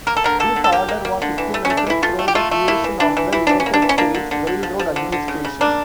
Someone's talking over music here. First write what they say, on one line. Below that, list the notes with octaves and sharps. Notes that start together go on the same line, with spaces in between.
This order was implemented through the creation of the United States Railroad Administration.
A#3 A#4
A4
D3 A#4
A#3 A4
D3
A4
A#3 G4
A#3
A#3
D3
E3
A3
C#4
A3
D4
E3 E4
A3 F4
A3
G4
A3 F4
A3
A#3 E4
E3
E3 D4
E3
E3 E4
E3 D4
C#4
A#3
D4
E3
C#4
A#3 D4
D3
D3
D3
F3
F3
D3
D3
C#3
C#3
A#3 D4